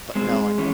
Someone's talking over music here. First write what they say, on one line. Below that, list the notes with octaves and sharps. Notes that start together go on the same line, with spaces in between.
but no, I
G#3 C4
E3 C#4